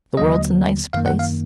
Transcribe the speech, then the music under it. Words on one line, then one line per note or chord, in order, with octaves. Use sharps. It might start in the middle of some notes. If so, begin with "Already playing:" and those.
The world's a nice place.
D#2 D3 F#3 A#3 D#5
F#2 D#3 A#3 F5
F#5
F5